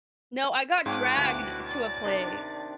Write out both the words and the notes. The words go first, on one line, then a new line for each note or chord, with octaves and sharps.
No, I got dragged to a play.
G#2 F3 C#5 G5 D6 F#6
D2 B2 E3
D5 A6
C3 D#3 D4